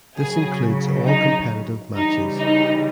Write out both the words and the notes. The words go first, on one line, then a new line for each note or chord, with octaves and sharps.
This includes all competitive matches.
C#3 F#3 G#4
D#4
C#3 E3 G3 D#4
D#4